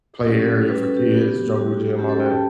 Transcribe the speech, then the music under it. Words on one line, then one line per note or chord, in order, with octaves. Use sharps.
play area for kids, jungle gym, all that.
F#3 C#4 F#4 G4
A4
G3 C#4 F#4 B4
A4
G4
B3 D4 F#4
G3 D4 F#4
F#3 C#4 F#4 G4
A4
G5
A5